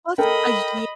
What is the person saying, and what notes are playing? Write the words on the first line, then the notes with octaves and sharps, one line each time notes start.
Plus a year.
A4 A#4 D#5 G5 B5